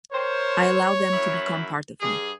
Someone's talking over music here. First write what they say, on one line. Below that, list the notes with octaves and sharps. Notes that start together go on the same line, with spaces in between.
I allow them to become part of me.
A#4 C5 C#5
F#2 E4
G2 G#4